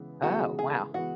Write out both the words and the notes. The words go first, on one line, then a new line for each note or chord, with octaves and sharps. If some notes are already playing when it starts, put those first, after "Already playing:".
Oh, wow.
Already playing: C#3 E3 G#3 B3
C#3 E3 G#3 B3 F#4
G#4
C#3 E3 G#3 B3 F#4